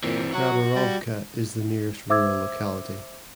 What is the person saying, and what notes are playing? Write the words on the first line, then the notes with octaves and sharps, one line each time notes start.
Graborovka is the nearest rural locality.
A#2 E3 C4
F#3 F#4
G3
C5 E5 D6 E6 G#6